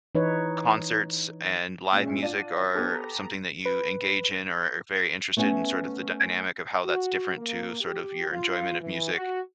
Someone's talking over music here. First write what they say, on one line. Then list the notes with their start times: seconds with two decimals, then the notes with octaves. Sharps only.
concerts and live music are something that you engage in or are very interested in sort of the dynamic of how that's different to sort of your enjoyment of music,
0.15 E3 D#4 B4 C#5
1.93 A#2 G#3 C#4 E5
2.22 D4 F4 F#5 D#7
2.51 B6
2.75 B3 D4 G4 A4
2.94 A#5
3.66 B4
5.37 A3 B3 C#4 F#5
6.84 F#4
7.37 A#3
7.81 G4
8.31 F4
8.81 E3
9.14 F#4